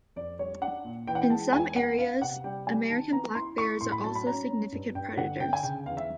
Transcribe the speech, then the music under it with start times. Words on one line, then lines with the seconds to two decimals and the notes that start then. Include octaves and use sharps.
In some areas, American black bears are also significant predators.
0.16 F2 D5
0.39 G3 C#5
0.62 D4 F#5
0.84 A#2
1.07 E3 G5
1.15 F#5
1.22 G5
1.30 G#3 A5
1.53 E2 G#5
1.76 B3 F#5
1.99 B3 F5
2.21 C3 F#5
2.44 G3 G5
2.67 G3 G#5
2.89 D#3 A5
3.12 B3 A#5
3.35 E4 C6
3.58 E4 C#6
3.81 A2 C6
3.92 B5
4.04 F#3 A5
4.15 B5
4.27 C#4 A#5
4.50 C#4
4.72 G2
4.95 G2 G5
5.17 D3 F#5
5.40 D3 G5
5.53 G#5
5.63 C#3 G5
5.86 E2 F5
5.97 E5